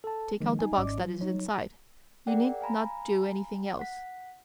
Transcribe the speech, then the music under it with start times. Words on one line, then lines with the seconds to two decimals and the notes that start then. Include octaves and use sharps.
Take out the box that is inside. You need not do anything else.
0.04 A4 A5
0.41 D#3 F3 G#3 A#3
0.59 D#4 G#5
0.74 G#1 G#2 C#4 D5 D#5 D6
0.97 F3 F#3 F4
1.21 F#3 D#4 C#5
2.27 G#4 A#4 D5 F#5 G5
2.61 F5 G#5 A#5 B5
3.79 F#5 B6